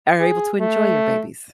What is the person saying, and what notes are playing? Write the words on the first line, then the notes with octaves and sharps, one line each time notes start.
are able to enjoy your babies.
G#4
A3